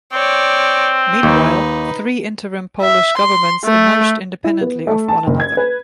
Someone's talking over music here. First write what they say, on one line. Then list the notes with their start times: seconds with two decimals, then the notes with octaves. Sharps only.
Meanwhile, three interim Polish governments emerged independently of one another.
0.12 C4 C#5 D5
1.23 D#2 D#4 B4
2.82 E5
3.18 C6
3.65 A3
4.44 E4
4.61 B3
4.87 A3
5.08 A5
5.27 F#1
5.40 G#6
5.57 B4